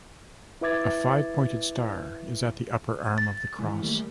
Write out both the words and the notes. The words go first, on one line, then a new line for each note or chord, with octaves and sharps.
A five-pointed star is at the upper arm of the cross.
E4 B4 E5 D6 G#6 A6
A6
D#3 E3 G#3
G3 A3 A#3